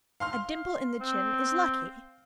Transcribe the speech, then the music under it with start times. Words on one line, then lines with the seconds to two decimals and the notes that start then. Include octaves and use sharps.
A dimple in the chin is lucky.
0.20 F5 C6 F6
1.01 C4